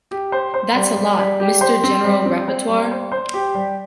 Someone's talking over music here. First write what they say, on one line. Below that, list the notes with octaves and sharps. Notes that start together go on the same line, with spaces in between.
That’s a lot, mister general rapporteur.
G4
C5
C5
G3
G3
G3
G4
C5
C4
G3
C4
C5
G3
C5
C5
G4
G3